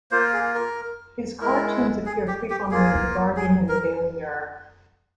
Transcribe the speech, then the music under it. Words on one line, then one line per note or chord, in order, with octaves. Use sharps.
His cartoons appear frequently in "The Guardian" and the "Daily Mirror".
A#3 F4 C5
G#4
A#4
G#3 E4 A#4
G#4
G4
G4
A#3 F4 G#4
G#4
A#4